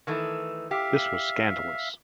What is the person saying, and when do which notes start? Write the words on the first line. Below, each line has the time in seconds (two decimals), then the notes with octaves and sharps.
This was scandalous.
0.07 D#3 E3 A3
0.71 G4 E5 F5